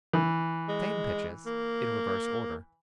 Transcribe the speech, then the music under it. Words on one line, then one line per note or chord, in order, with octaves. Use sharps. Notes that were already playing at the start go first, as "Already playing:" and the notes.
Same pitches in reverse order.
E3
G#3
A#3